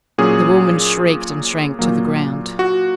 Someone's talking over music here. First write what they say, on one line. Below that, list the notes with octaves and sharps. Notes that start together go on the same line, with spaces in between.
The woman shrieked and shrank to the ground.
A#2 F#3 C#4 G#4
A#2 F#3 A#3
F#4